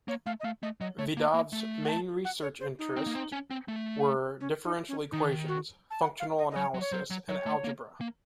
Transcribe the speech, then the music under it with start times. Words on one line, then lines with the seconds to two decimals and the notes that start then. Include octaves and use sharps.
Vidav's main research interest were differential equations, functional analysis and algebra.
0.08 A#3 C#5
0.26 A3 F5
0.40 D#5
0.44 A3 F5
0.63 A3 D#5
0.81 F#3 D#5
0.99 A3 C#5
1.17 A#3
1.34 A#3
1.53 A3
1.85 F#5
1.89 A5
2.25 F#5
2.42 C#5
2.61 C5
2.79 D#4
2.96 C4
3.07 A#3
3.15 C4
3.32 C#4
3.51 C4
3.68 A3
4.40 C#4
4.65 D#4
4.88 C#4
5.12 D#3 D#4
5.48 F#4
5.91 A5
6.02 F#5
6.20 F5
6.38 D#5
6.51 D#5
6.56 F#3 C#5
6.74 F#3
6.81 C#5
6.92 F#3 C5
7.10 F#3
7.28 F#3 C#5
7.46 A3
7.64 A#3
8.01 A#3